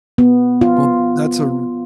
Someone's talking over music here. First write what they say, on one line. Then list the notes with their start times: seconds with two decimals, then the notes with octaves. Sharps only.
Well, that's a r
0.18 B3
0.61 F4